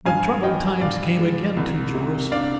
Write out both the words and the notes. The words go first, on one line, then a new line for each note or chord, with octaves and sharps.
But troubled times came again to Jerusalem.
G2 F5 G#5
F3 D#5 G5
G2 D5 F5
G#3
C2
C3
D4 D5 F5